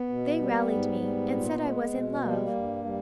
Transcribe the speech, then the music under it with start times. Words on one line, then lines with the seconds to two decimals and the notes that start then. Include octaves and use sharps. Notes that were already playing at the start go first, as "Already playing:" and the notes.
They rallied me, and said I was in love.
Already playing: B3
0.09 B2
0.40 G3
0.70 G#2
1.01 G3
1.32 A#2
1.63 G#3
1.93 B2
2.24 G3 A#3
2.34 G#3
2.44 A#3
2.54 G2
2.85 G3